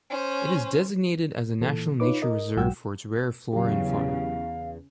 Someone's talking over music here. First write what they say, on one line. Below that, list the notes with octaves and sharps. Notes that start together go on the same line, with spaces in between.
It is designated as a national nature reserve for its rare flora and fauna.
C#4 C5
A#2 E3 A4
D#4 F4 B4 C#5 D6
A#4 D#5
B1 G#2 F#3 F#5 G5 E6
E2 C#3 F#3 G4 F5